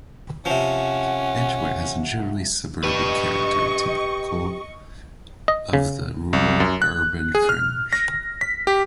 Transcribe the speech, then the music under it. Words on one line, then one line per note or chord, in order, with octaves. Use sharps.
Edgware has a generally suburban character, typical of the rural-urban fringe.
C3 F3 C#4 F#5
G4 B4 D#5 C#6
D#5
C#3
C2
F#2
F#6
G#4
F6
A#6
B6
G4